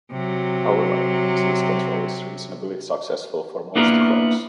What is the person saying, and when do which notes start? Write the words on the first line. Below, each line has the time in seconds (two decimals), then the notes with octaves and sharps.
However, disease control is reasonably successful for most crops.
0.12 C3 F#3
3.75 A#3 B3 D4 E4 F4 A#4